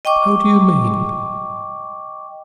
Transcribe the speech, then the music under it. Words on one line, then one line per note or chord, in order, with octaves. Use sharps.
"How do you mean?"
D#5 G5 C#6 D6